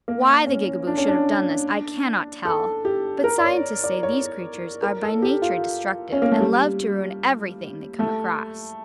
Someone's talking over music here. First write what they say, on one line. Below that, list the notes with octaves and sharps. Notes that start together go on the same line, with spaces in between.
Why the Gigaboo should have done this I can not tell; but scientists say these creatures are by nature destructive, and love to ruin everything they come across.
A#3
C#4
D4
C#4
D4
A4
G4
A#4
D5
C#5
D5
C#5
A#4
A4
G4
F4
C#4
A#3
A3
G3
A3